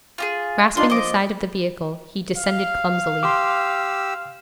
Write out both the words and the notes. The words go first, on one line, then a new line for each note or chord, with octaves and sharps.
Grasping the side of the vehicle, he descended clumsily.
F4 G4 G#4
D#3 D4 F4 C6
F3 D#5 D6
F5
G4 C6 D6 E6